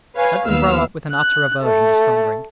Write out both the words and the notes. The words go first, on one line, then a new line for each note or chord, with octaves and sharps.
Let them grow up with an utter aversion to strong drink.
B4 C#5 F5 G#5
D#2 B3 F5 E6 F6
F#6
A3